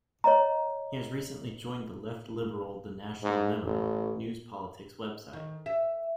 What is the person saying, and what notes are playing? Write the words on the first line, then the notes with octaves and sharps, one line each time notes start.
He has recently joined the left-liberal The National Memo news-politics website.
C#5 D#5 A#5
G#2
A1
D#3
E5